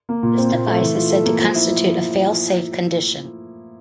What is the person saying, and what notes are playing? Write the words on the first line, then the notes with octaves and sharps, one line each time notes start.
This device is said to constitute a fail-safe condition.
A#3
A#2
C4
A#2
A3
E3
F4
A4
A#3
F3
E4
F3